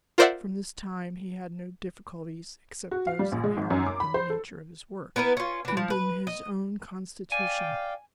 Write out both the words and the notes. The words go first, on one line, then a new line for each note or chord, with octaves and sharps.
From this time he had no difficulties except those inherent in the nature of his work, and in his own constitution.
F4 A#4 C5 D5 E5 F#5
F#4
F5
G3
A#1
G#3
G#1
F#2
D6
B5
C5
A4
B3 E4 A#4 B4
C#4 F4
D3 E3
F3
B4
D#5
D5 F5 G5 G#5